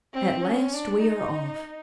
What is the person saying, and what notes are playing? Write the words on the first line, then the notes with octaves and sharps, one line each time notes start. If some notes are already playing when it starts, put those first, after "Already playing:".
At last we are off.
C4
C#4
D4
D#4